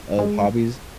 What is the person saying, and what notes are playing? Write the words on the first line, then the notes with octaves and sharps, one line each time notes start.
of hobbies.
G#3